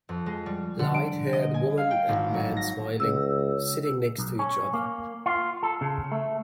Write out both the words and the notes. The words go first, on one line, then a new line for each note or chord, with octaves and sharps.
Lighthaired woman and man smiling, sitting next to each other.
F2
G#3
G3
D3
D7
D#5
G#5
F5
G5
G#1
F#3
A#6
C#2 E6
B1
C#4
A#3
F4
A4
C#3
A3